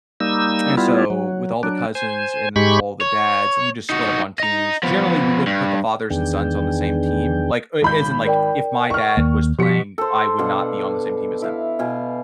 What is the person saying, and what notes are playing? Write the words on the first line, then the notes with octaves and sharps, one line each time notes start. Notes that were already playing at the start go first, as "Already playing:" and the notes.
and so with all the cousins and then all the dads, and we just split up on teams. Generally, we wouldn't put the fathers and sons on the same team. Like, uh, as in, like, if my dad was playing, I would not be on the same team as him,
G3 A#3 D#4 E6
G3 B3 E4 F4
F#3
F#3 D4
C5 G#5
G#2 G#3 G4 B5 C#6
C#5
D#4 F#4
D#5 A#5
F3 B3
G2
E2 D#3 B3 D4 G#4 G5
G#1 B5 G6
A#4 D5 G5
C#6 F6
D#2 A#3
B2 F3 G4 B6 C#7
A4 C5
B2 D4 F5 F#5
E4 F5
B2 F5 G#5